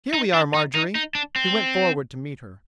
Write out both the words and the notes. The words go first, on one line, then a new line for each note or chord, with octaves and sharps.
"Here we are, Marjorie." He went forward to meet her.
D#4
D4
D#4
D#4
D#4
D4
C4